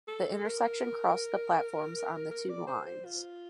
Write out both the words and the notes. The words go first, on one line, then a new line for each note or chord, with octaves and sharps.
The intersection crossed the platforms on the two lines.
A4
A#4
A#4
D5
C5
C5
F4